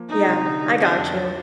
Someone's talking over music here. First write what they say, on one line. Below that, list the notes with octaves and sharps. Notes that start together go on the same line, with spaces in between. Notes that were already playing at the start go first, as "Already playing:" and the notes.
Yeah. I got you.
Already playing: F3 A#3
D4 D#4
C3
D3
G3
C4 D4
F2
F3